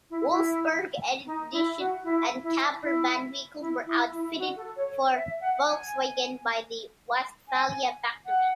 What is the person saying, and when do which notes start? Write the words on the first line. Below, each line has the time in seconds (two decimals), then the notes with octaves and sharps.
Wolfsburg Edition and camper van vehicles were outfitted for Volkswagen by the Westfalia factory.
0.10 E4
0.29 E4
1.26 D#4
1.52 E4
1.78 F#4
2.04 E4
2.43 E4
2.82 E4
3.60 E4
3.86 E4
4.12 E4
4.38 F#4
4.56 A4
4.76 C#5
5.14 E5
5.41 F#5
5.66 G#5
7.48 G#5
8.25 F#5